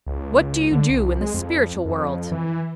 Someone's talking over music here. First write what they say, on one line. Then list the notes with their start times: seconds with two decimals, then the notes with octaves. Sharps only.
"What do you do in the spiritual world?"
0.06 C#2
0.72 D3
0.90 C2
1.21 G#3
1.34 F2
1.85 F2
2.32 E3